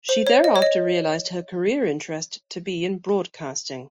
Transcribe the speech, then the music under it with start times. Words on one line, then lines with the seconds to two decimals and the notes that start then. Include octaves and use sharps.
She thereafter realised her career interest to be in broadcasting.
0.09 C5
0.27 C#5
0.44 D#5
0.56 C#5
0.62 D#5